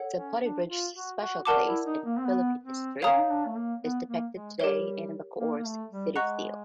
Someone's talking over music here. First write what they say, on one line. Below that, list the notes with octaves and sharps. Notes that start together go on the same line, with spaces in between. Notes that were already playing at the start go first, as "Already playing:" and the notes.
Zapote Bridge's special place in Philippine history is depicted today in Bacoor's city seal.
Already playing: A4 C#5 F#5
C#4
D4
F4
F#4
F#4
F#4 A#4 D5 F#5 A5 D6
E4
D#4
A#3
C4
B3
C4
C#4 C#5 F5 A#5 D#6
D#4
D4
A3
A#3
B3
A#3
G#3
G3 G4 A#4 C#5
A#3
A#3
A3
G3
G#3 D#5 F#5 A#5 C#6 F#6